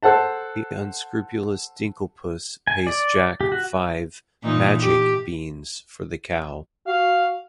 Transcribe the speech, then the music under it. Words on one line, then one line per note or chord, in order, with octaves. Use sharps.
The unscrupulous Dinklepuss pays Jack five "magic" beans for the cow.
A4 C5 F#5 A5
G#5
D5
G4
F#4
A#2 E3 D#4
G4
F#4 F5